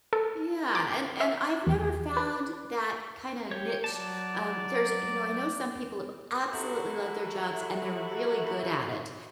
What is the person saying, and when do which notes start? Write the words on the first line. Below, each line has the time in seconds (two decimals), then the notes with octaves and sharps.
Yeah, and and I've never found that kinda niche, um, there's you know, I know some people absolutely love their jobs and they're really good at it,
0.13 A4
0.75 D6
1.20 E5
1.67 E2
2.17 B4
3.51 G4 C#5
3.84 F#3 D5 A5
6.52 F#3 G3 E4 F#4 A4